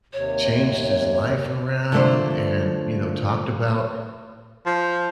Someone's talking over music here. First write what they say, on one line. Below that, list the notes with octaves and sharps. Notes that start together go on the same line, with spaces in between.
changed his life around, and, you know, talked about
D#2 C3 C#5
D3 F3 A3 D4 C5
F3